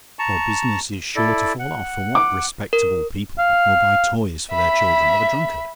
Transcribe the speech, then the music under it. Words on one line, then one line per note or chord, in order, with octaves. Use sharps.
Your business is sure to fall off; for what respectable people will buy toys for their children of a drunkard?
A5 A#5 C#6
E4 A4 D5
F#5
D6
A#4
F5
E5 B5